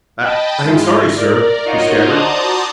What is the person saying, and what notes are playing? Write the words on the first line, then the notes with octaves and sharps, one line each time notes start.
"I--I'm sorry, sir," he stammered.
D#5 G5 A5 B5
G#2 G#3 E4 F4
A#4 D5
D#4 F4 F#4 A#4 C#5 D#5
F#4 C5 D5 A5 A#5 D#6